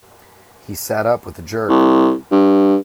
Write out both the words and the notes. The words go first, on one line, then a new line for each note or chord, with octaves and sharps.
He sat up with a jerk.
C2
G2